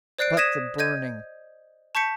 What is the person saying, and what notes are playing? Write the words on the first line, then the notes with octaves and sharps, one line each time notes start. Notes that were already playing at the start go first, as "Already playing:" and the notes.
But the burning!
C5 D5 F#6 C7 D7
D#6 G#6 A#6 B6 D#7 E7
D#5 G6 G#6 D#7
A5 C#6 G6 B6 C#7